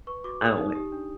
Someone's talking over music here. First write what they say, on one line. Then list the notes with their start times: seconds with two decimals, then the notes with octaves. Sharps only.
I don't li
0.07 B4 C#6
0.24 F#4 D6
0.41 G#4 D#6
0.58 D#4
0.75 G4
0.92 D4